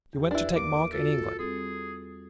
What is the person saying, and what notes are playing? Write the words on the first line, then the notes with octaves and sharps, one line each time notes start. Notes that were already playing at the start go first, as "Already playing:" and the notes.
"You went to take Monk in England?"
E2 G4 G5
D4 E4 B4
A#3 D6
F4 F#4 A4
G3 C4 G#4 A4